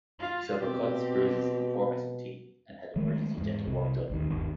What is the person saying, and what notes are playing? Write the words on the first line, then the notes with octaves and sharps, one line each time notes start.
He suffered cuts, bruises, and four missing teeth and had emergency dental work done.
F4 F5
B2 C4 G4
D#3 F#3 G#3 A3
E2 G#2
C2 C3
A1 D#2 D#3
G1 D#2 D3